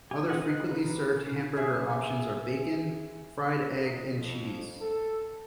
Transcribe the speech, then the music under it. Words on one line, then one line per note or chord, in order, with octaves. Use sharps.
Other frequently-served hamburger options are bacon, fried egg and cheese.
G4 G#5
C4 F4 D#5 F#5 G#5
D#5 F#6
D#4 B4
E4 G4
C#4
G#4 E5
D#5
F2
A4